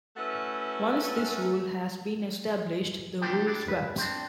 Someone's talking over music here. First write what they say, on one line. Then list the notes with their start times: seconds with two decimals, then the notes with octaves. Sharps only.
Once this rule has been established, the rule swaps.
0.17 A3 C#4 E4 F#4 A4 B4
3.21 D2 A#2 G3 D4 G4
3.47 A2 D4 D5
3.68 B4
3.98 C4 D4